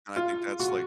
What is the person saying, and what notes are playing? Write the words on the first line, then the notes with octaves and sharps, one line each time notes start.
And, I think that's like
F4
F#4